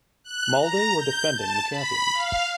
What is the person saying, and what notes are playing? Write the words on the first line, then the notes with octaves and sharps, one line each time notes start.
Molde were the defending champions.
F#6
A#5
G6
A5
B5
F5